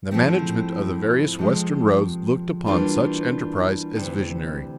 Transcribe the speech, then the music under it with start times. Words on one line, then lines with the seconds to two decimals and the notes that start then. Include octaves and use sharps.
The management of the various western roads looked upon such enterprise as visionary.
0.11 G#2 F3 A3 C4 E4
1.39 F2 C3 F3 G#3
2.67 E3 G3 A#3 D4 F4
3.95 D2 C3 E3